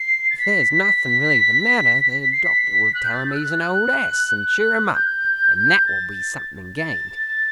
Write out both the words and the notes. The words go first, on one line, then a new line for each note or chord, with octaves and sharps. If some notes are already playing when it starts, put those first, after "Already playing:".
If there's nothing really the matter, the doctor will tell him he's an old ass, and cheer him up; and that will be something gained.
Already playing: C7
A6
B6
B6
C7
B6
F#6
G6
A6
E6
F#6
F#6
F#6
F#6
G6
A6
A6